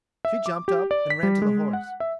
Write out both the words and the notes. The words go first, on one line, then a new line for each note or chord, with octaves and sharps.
She jumped up and ran to the horse.
E5
D6
G4
D5
B6
G3
G#3
F#5
E5